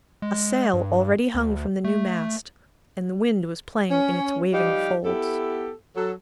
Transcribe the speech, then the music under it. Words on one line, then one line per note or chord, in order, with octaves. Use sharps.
A sail already hung from the new mast, and the wind was playing in its waving folds.
G#3
G2
D2
A3
C#4
F3 G3 D#4 G4 F5
B3 E4 G4 A4
F#3 A4